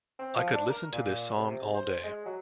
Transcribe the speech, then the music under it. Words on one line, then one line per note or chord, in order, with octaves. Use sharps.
I could listen to this song all day.
C4
F3
D4
A#4
A#2
C3
C5
G#3
F#3